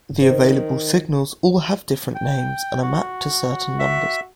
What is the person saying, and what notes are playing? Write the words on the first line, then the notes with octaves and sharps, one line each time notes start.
The available signals all have different names, and are mapped to certain numbers.
D#3 C5
G5
F#4
E5